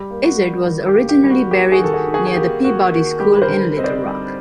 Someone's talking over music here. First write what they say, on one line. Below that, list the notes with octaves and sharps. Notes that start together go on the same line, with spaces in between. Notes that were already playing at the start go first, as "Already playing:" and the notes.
Izard was originally buried near the Peabody School in Little Rock.
Already playing: G3 G4
A#3
F#4
G3
D#3
G4
A#3
G4
G3
F#4
A#3 G4
F#4 G#4
D#3 A4
F#4 G#4
D#3
F#4 G#4
G#4
A#3 G4
A#3 F#4
D#3 F#4
G3 G4
B4
A#4 C5
D3
C4 D#5
C5 D5
G3